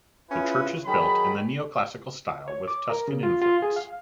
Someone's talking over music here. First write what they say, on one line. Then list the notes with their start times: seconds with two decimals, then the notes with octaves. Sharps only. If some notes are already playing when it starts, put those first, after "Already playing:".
The church is built in the Neoclassical style with Tuscan influence.
0.30 C#4 E4 F4 G#4 B4 G#5
0.85 D#3 F#3 G#4 B5
2.48 C#5
2.68 D6
2.89 A#4
3.08 C#3
3.23 F4
3.42 F4
3.62 G#4
3.76 F5